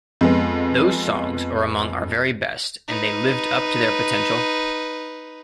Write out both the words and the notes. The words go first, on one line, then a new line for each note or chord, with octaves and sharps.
Those songs are among our very best and they lived up to their potential.
F2 G#3 B3
D#4 B4